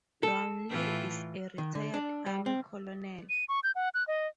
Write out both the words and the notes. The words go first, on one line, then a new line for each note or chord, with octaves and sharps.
Brownlee is a retired Army colonel.
A4
A2 E3 F4
D#3
D3
D4
G3
C4
D#7
C#6
G6
F#5
F#6
D#5